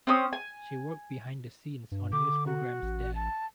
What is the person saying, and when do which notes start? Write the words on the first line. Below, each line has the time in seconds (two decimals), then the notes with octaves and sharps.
She worked behind the scenes on news programs there.
0.07 C4 C#4 D#6
0.33 G#5
1.92 G2
2.12 D3 D6
2.46 F#4
2.82 A1
3.15 A5